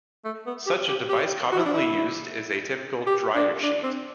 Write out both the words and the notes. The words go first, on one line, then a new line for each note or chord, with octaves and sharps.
Such a device commonly used is a typical 'dryer sheet'.
A3
B3
G4
G4
G4
F#4
E4
D4
E4
G4
D4
D4
C4